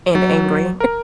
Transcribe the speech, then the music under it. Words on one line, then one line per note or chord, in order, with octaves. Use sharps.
And angry.
F#3
A#4